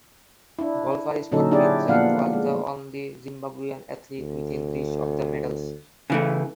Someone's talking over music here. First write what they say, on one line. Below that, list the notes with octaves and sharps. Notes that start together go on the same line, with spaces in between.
Golfer Scott Vincent was the only Zimbabwean athlete within reach of the medals.
D4 E4
A#2 D3 F#3 C#4 D#4 A4
D4 E4 G4 G#4 D5
A#2 F3 B3 D4 F5 F#5
G#3
D2
C#3 E3 A3